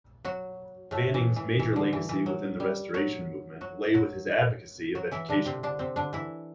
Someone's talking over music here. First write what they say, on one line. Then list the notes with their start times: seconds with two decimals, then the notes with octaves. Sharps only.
Fanning's major legacy within the Restoration Movement lay with his advocacy of education.
0.25 F#3 F#4
0.91 A2 A3
1.14 E3
1.36 E3
1.59 E3
1.76 D3
1.93 E3
2.09 E3
2.26 F#3
2.60 G3
2.94 F#3 F#4
3.61 F#3 F#4
3.94 F#3 F#4
4.95 F#3 F#4
5.11 E3 E4
5.29 D3 D4
5.46 C3 C4
5.63 D3 D4
5.79 C3 C4
5.96 D3 D4
6.13 E3 E4